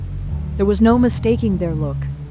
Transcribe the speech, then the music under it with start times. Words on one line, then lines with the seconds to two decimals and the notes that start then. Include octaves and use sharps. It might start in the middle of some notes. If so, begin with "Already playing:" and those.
There was no mistaking their look.
Already playing: F#1 F#2 D3
0.31 D2 D3 F#3
0.91 E1 D2 C#3
1.50 C#2 C#3 G#3
2.08 D3